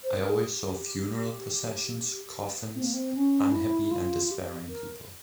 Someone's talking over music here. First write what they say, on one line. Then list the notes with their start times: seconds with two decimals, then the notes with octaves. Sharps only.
I always saw funeral processions, coffins, unhappy and despairing people.
0.04 C5
0.16 A#4
0.29 G#4
0.42 G4
2.75 C4
2.84 A#3
2.94 C4
3.14 C#4
3.52 E4
3.91 F4
4.31 G4
4.69 A#4